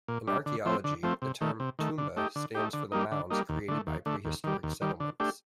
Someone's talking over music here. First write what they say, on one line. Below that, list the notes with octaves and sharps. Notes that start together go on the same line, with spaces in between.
In archaeology the term Toumba stands for the mounds created by prehistoric settlements.
A#2
G3 D4
D3
F3 A3 C4
D3
F3 A3 C4
C3
D#3 A3
C3
D#3 A3
D3
A3 D#4 G4
D3
A3 D#4 G4
D3
G3 A#3 D#4
D3
G3 A#3 D#4
D#2
D3 A3
D#2
D3 A3
D#2
D#3 G3
D#2
D#3 G3
D3
A3 D4 G4